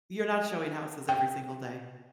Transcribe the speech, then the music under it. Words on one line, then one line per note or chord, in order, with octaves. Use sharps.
You're not showing houses every single day.
G5